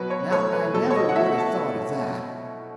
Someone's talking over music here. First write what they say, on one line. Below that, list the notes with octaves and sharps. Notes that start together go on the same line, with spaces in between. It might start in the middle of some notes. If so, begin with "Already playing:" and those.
Now I never would 'a' thought of that.
Already playing: B2 F#3 B4
C#5
A3 C#5
B4
B2 A4
C#5
D#5
F#5
A3 E5
A5